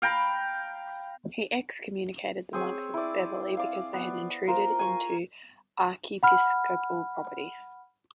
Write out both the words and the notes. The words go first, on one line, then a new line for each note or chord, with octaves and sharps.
He excommunicated the monks of Beverley because they had intruded into archiepiscopal property.
F5 G5 A#5 B5
C4 G#4 C#5
E4 D5
D5 F5
B3
F4 A#4 C5
G#5 C#6
F#5 B5 F6